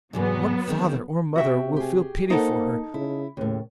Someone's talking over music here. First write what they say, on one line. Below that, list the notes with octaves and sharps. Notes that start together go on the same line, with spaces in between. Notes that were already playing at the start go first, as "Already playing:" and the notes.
What father or mother will feel pity for her?
E2 G#2 C3 F#3 B3
D#3 G#3 C4
C3 F#4 E5 G5
G4 G#4
A#3 D#4 A4 C5 F#5
C#3 E4
D#2 A2 C#3